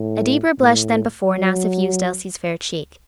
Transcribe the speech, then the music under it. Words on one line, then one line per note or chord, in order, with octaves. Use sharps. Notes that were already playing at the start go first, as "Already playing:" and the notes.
A deeper blush than before now suffused Elsie's fair cheek.
Already playing: A2
A2
F#3